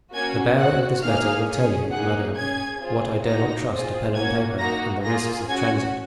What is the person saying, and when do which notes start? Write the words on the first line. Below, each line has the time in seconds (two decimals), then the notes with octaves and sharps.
The bearer of this letter will tell you, madame, what I dare not trust to pen and paper and the risks of transit.
0.13 A#3 C#4 F#4 G#5 G#6
0.58 C4 F#4 F#5 F#6
1.03 A#3 D#4 G#4 F5 F6
1.47 C#4 G#4
1.92 A#3 D#4 G#4 F#5 F#6
2.36 C#4 G#4 G#5 G#6
2.81 C4 F4 G#4
3.25 A#3 D#4 F#4 A#5 A#6
3.70 C4 F4 G#4
4.14 A#3 C#4 F#4 G#5 G#6
4.59 A#3 D#4 F#4 A#5 A#6
5.03 A#3 F4 G#4 A#5 A#6
5.48 C#4 F#4 G#5 G#6